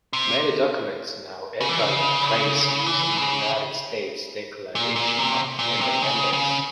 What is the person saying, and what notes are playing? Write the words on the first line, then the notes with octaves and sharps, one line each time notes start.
Many documents now echo the phrase used in the United States Declaration of Independence.
C3
C#3
E3
C#3
E3
C#3
A#2
A#2
C3
A#2
C3
C#3
C#3